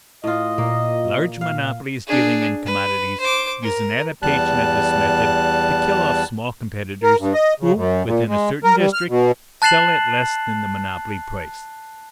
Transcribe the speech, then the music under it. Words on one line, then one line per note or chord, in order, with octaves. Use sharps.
Large monopolies dealing in commodities use an adaptation of this method to kill off small competitors who, within a certain district, sell at less than the monopoly price.
A2 F4 D#5
A#2 A#3
F5
D4 G#4
B4
C5 D6
A#4
E2 G3 A5 F#6
A#4
G2
D#5
C#3
F#2
A#2
G#3
A#4
G3
F6
B2
A5 F#6 A6 C7 E7 F#7